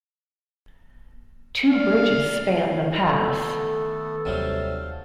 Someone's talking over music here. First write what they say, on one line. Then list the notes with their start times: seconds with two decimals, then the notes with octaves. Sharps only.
Two bridges span the Pass.
1.69 D5 F5
3.05 D#3 A3 B3 A4
4.25 D#2 C3 F#3 G3 D#4 F5 A5